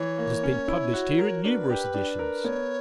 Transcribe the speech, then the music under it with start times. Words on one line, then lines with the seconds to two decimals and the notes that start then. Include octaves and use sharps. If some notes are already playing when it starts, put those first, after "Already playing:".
It has been published here in numerous editions.
Already playing: E3 C#5
0.18 A#3
0.43 C#4
0.68 E4
0.94 F#4
1.19 A#4
1.44 D4 B4 C#5
1.70 G4
1.94 D4
2.19 A#4
2.44 B3 C#5